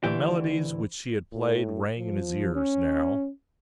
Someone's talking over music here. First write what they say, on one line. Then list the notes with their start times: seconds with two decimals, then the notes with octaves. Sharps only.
The melodies which she had played rang in his ears now.
0.04 D2 E3 G4
1.33 A2
1.98 F3
2.55 C#4